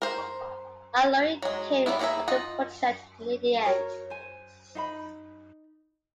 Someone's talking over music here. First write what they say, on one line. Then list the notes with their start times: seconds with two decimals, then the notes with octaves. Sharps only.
Al Lowe came onto the project near the end.
0.02 A#4 C5
1.42 F#3 G#3
1.86 F#3 G3 B3 E4
1.99 A#3 C#4 E4 G#4 E5
2.28 F4 D#5 F#5
3.65 F#4 A#4 C#5
4.10 C5 G#5
4.75 D#4 F5 B5